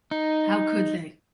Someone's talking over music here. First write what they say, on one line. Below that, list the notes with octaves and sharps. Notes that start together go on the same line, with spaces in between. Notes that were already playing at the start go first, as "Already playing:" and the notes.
How could they?
D#4